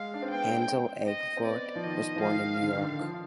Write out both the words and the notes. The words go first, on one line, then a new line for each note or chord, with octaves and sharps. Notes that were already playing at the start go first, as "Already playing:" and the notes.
Ansel Elgort was born in New York.
Already playing: G#3 F5
D4
C4
B3 G5
C4
D#5
C4
B3 D5
F3
D#3 D#5
F3
D#3 F5
D3
D#3
D3
D#3
F3